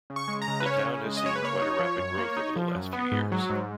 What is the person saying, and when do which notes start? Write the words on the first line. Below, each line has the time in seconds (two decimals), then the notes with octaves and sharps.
The town has seen quite a rapid growth over the last few years.
0.10 C#3
0.16 C#6
0.28 G#3
0.42 A#5
0.48 C#3
0.60 B4
0.66 C#4 C#5
0.86 C#3
1.04 G#3
1.17 D#5
1.23 C#3 C#5
1.36 B4
1.43 A#3 C#5
1.61 D#4
1.79 F3
1.98 F#2
2.18 A#3
2.37 D#4
2.56 F3
2.75 F#2
2.93 B3
3.12 G#2
3.32 F#3
3.50 G#2